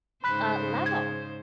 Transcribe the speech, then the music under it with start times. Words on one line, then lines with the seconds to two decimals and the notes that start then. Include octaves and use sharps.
uh, level.
0.24 G#2 C#3 C5 B5 F#6 B6
0.86 G#6